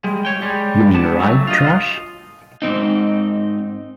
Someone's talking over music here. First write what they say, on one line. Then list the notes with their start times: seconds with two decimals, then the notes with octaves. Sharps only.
You mean write trash?
0.04 G3 G#3
0.25 C#5 G5
0.42 G3 G#3
0.94 G#3 B3 D4 A5
1.19 G2 F#3 A3
1.47 F4 D#5
2.62 G#2 C3 C4 D#4